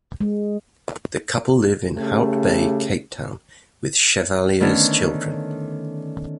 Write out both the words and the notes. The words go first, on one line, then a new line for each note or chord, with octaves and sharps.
The couple live in Hout Bay, Cape Town with Chevallier's children.
G#3
C#3 A3 G4
D3 D#3 A3 B3 C#4 D4